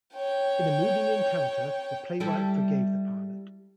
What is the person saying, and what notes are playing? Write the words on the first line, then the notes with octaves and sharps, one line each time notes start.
In a moving encounter the playwright forgave the pilot.
C#5 G5
G3 E4 A4